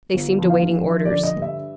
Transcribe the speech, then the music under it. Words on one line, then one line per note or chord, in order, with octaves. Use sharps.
They seemed awaiting orders.
G1
F3
F5
G2
F3 E5
D5
D3
D#5
G2
E5